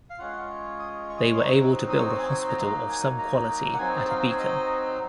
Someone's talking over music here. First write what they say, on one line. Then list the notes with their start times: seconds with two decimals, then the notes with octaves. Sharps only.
They were able to build a hospital of some quality at a beacon.
0.10 F5
0.19 G#3 C#4 F4 F#5
0.79 D#6
1.09 C#6
1.17 D#6
1.26 C#6
1.33 C6
1.39 F#3 C4 D#4 C#6
1.89 D#6
1.99 C#6
2.09 C6
2.20 G#5
2.29 C#6
2.39 C6
2.49 A#5
2.58 F#3 A#3 D#4 C6
2.89 G#5
3.19 A#5
3.74 F#5
3.79 F#3 C4 D#4 G#5
4.10 F5
4.20 C5
4.30 C#5
4.39 D#5